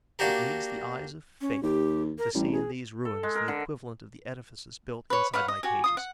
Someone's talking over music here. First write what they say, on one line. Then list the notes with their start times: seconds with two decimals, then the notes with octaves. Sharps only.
It needs the eyes of faith to see in these ruins the equivalent of the edifices built inside my cages.
0.19 A#3 D4 F#4 G4 A#4
1.41 C#4
1.63 D#2 G4
2.18 A#4
2.34 A1 G3
2.52 G#4
3.05 A4
3.23 G#3
3.35 A#4
3.48 D3
5.10 B4 C#5
5.34 B4 C#5 F5 F#5
5.48 D#5
5.63 F#4 G4 G#5
5.84 F4 D#6
5.97 F#5